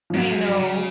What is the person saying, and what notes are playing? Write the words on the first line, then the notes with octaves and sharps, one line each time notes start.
I know.
F3
G#2 F#3
F#2
G#2
C#3